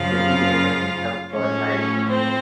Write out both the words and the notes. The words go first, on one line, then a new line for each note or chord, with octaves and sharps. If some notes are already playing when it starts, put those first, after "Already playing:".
"Messenger" has been covered by Mazes.
Already playing: F#2 C#3 F3 F4 F5
A2 F3 A3 C#4 C#5
C4 C5